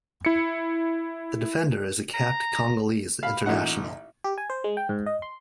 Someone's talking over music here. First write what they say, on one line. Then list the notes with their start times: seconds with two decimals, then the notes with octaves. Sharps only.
The defender is a capped Congolese international.
0.25 E4 C#7
2.14 A#5
3.23 F5 B5
3.46 A1 A#2 D#4 F#5
4.24 G4
4.38 G#5
4.50 C5
4.64 G#3
4.77 G5
4.89 G#2
5.06 D#5
5.22 C6